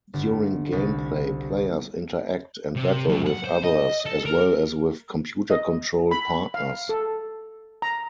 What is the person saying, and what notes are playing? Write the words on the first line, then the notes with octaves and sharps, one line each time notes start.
During gameplay, players interact and battle with others, as well as with computer-controlled partners.
G1
C2
C3
F#2
F#5
C5
D#5
A4
A#4
D#5
B5
F5
A4
A#5